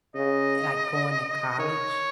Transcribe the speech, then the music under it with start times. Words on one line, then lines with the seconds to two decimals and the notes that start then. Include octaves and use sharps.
like, going to college,
0.15 C#3 D#5
1.58 D#3 C#5